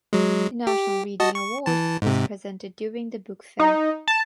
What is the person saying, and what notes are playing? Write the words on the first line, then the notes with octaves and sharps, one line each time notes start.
The National Reading Award is presented during the book fair.
F#3 G#3
G4
F#4 D#5 A5
C#6
E3 A5
G#2 C3
D#4
A5